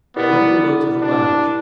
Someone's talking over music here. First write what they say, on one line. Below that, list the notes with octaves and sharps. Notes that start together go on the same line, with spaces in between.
I went below to the lounge.
B3 E4 G4 A#4 D5
D4